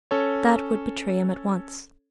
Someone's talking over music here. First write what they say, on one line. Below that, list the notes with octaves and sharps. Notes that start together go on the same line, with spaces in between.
That would betray him at once.
C#4 A4 C#5